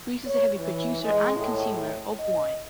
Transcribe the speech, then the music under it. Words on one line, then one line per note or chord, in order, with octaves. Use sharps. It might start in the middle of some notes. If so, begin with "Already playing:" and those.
Greece is a heavy producer and consumer of wine.
C#5
E3
G#3
A2
D#5